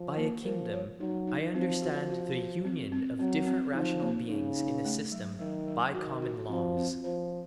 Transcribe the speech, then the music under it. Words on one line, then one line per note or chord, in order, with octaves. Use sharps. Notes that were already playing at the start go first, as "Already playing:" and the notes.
By a kingdom I understand the union of different rational beings in a system by common laws.
Already playing: F3
A#3
F3 A#4
C#5
F#3 D#4
D#4
F3 C4
F#4
F#4
F#4
C4
C4
F#3 C4
C4
F3 D#4
A#3
C#3 D#4
D#4
A3
F#3
D#3 F#3
F#3
D#3 F#4
F#4
F3 C4
C4
F3 C5